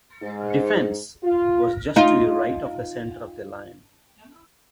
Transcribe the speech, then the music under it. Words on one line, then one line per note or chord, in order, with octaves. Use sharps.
"Defence" was just to the right of the centre of the line.
G#2
F4
D#4 F4